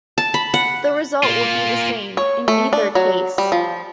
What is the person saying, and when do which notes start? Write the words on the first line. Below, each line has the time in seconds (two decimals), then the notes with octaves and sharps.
The result will be the same in either case.
0.18 A5
0.34 B5
0.54 F#5
1.23 A#3 F4
2.17 C#5
2.48 A3
2.73 D4
2.95 F#3
3.38 G3
3.52 F3